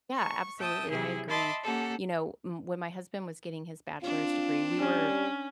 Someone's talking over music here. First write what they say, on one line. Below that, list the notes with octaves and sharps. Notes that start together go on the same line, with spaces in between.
Yeah, absolutely, I agree. You know, m when my husband was getting his bachelor's degree, we were,
C#6
E5 G5 A5 D#6
C3 F#3 E4 G#4
D#5 E5 A5 B5 C6 D6
A#3 C#4 G4 A4 F#5
C4 D4 F4
G3 C#4